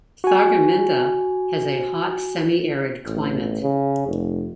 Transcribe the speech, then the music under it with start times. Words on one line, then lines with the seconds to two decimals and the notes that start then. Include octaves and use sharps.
Thargomindah has a hot semi-arid climate.
0.24 F#4 G#5
3.06 A1
3.62 C#3
4.07 F1